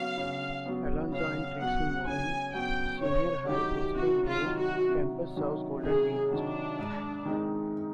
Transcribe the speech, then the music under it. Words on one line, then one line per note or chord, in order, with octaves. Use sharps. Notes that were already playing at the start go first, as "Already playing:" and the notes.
Alonzo and Tracy Mourning Senior High Biscayne Bay Campus serves Golden Beach.
Already playing: C#3 F#3 B3 F5
C#3
F#3 B3
C#3 F5
F#3 B3 F#5
C#3 G#5
F#3 B3 G5
C3 C#5
D#3 F#3 G4
C3 F#4
F4
D#3 F#3
F#4
C3
D#3 F#3
C3 G#4
D#3 F#3 D4
G#2
D#3 G#3 C4 D#4